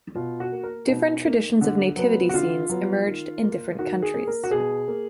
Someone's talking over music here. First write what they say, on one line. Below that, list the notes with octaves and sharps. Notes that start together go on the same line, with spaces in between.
Different traditions of nativity scenes emerged in different countries.
B2 F4
F#4
A#3
A#4
B2 D#4
A#3
D3
F#3 B3
F#4
D3 F4
F#3 B3
D#3
A#3
D#3 F#4
G#4
A#3
A#4
F#4
B2 G#4
A#3